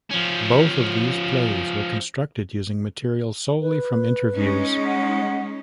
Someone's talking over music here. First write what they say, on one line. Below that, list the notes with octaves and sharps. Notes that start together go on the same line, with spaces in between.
Both of these plays were constructed using material solely from interviews.
F3 C#4
B4
G#3 C#4 D#4
F#5